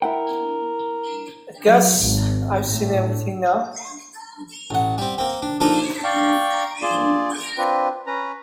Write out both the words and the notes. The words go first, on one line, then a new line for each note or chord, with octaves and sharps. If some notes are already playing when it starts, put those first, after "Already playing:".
I guess I've seen everything now.
E4 A#4 F#5 G5
F#3
G#1
A2
A1 F#5
G3 C4
A#3 C4
D4
F3 A#3 D4 D#4 A4 A#4
D5 F5 G5 C#6
F4 G#4 D5
C4 D4 F4 B4
C#4 B4 A#5